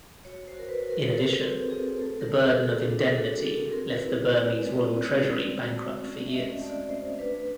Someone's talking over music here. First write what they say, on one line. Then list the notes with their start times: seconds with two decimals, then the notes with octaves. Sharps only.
In addition, the burden of indemnity left the Burmese royal treasury bankrupt for years.
0.25 F#4 C#5
0.48 C5
0.54 F#4
0.59 A#4
0.69 B4
0.83 F#4
0.90 A#4
1.02 G#4
1.12 F#4 A4
1.40 C4 G4
1.70 C4 G#4
1.99 A3 A4
2.21 A#4
2.27 A3
2.42 G#4
2.56 F#4
2.64 A4
2.86 D4
3.06 G#4
3.14 F#4 A4
3.43 F#4 A4
3.71 C4 A#4
3.94 B4
4.01 E4
4.16 C#5
4.29 E4 C#5
4.37 D5
4.59 G#3
4.87 C4
5.16 G#3
5.45 F#4
5.74 A3
6.03 C#4
6.27 E5
6.32 C#4 D#5
6.61 A3 D5
6.89 A3 C5
7.19 D4 B4